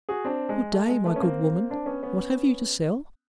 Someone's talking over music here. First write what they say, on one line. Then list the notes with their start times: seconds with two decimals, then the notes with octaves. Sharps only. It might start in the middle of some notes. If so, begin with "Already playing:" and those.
"Good-day, my good woman, what have you to sell?"
0.09 F#4 G#4
0.25 C4 D4
0.49 G#3
0.73 A3
0.89 G#3
1.05 A3 B3
1.16 C#4
1.22 A#3 C4
1.70 C4 D4
1.86 B3 C#4
2.03 B3 C#4